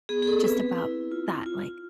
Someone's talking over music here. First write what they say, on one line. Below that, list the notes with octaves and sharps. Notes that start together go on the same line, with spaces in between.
just about that, like
B3 G#4
G#4
A4
C4 B4
E4
F4
F4